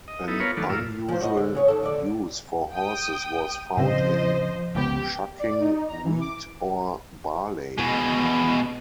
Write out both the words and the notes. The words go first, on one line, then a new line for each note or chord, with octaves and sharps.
An unusual use for horses was found in shucking wheat or barley.
D#5
B3 D#4 E4 A4
B3 F4 A#4 B4 C#5
D#3 F3 F#3 A3 D4
F#2 A2 A#3 F4 E6
F3 C5
F#4 C#5 D#5
D3
C#3 C#5
D#2 A4
D3 D5
G5 D#6
A2 C#3 F3 C4 C5 D#5
F#1 C#2 B3 G4
D5
D#4
A#5
E3
D6
B2 G#3